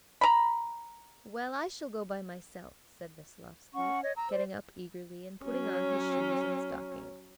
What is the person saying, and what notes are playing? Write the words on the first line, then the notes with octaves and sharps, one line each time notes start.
"Well, I shall go by myself," said Veslovsky, getting up eagerly, and putting on his shoes and stockings.
A#5 B5
C#4 F#5 C#6
C#5 D#5
A#5 E6
C5 D5
F#3 C#4